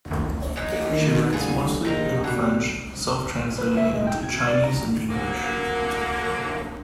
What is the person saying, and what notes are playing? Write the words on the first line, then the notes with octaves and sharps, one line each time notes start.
She writes mostly in French, self translating into Chinese and English.
E3 G#3 D#4
D#3
G1 E3 F4 G#4
A#1 C3 D#4 A#4
B2 D3 G3
B4
E5
G#3
G5
G#6
D5
A#5
D3 F#3 A#3